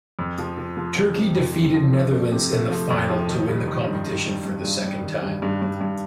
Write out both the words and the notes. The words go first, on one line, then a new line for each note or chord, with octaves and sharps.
Turkey defeated Netherlands in the final to win the competition for the second time.
F2
F3
F3
F3
F2
C3
F2
C3
F3
F2
A3
C3
A3
F3
F2
F3
D#3
G3
D#3
G2
G2
G2
G2
G2
G2
D#3
G2
G2
G2
G2